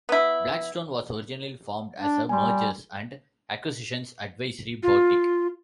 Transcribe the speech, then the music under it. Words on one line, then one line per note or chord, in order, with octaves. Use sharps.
Blackstone was originally formed as a mergers and acquisitions advisory boutique.
B3 E4
D4
G3 G#5 C6
F4